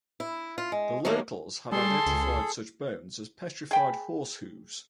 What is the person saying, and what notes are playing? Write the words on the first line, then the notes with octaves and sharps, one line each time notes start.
The locals had identified such bones as petrified horse hooves.
E4
F4
G#3
D#3 E3 F#3 A3 A#3 G4
G3 G#4 A4 A5 C6
C#2
G#4 G5 B5